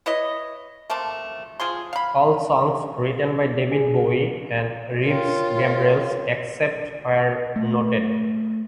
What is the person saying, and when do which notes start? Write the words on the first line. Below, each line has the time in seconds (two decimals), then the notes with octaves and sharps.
All songs written by David Bowie and Reeves Gabrels except where noted.
0.06 E4 B4 C#5 D#5
0.90 A3 A#3 C4 A5
1.60 F3 G#4 C6
1.93 F5 B5
3.72 G#4
5.06 F4 A#4 C#5 G5
7.56 A3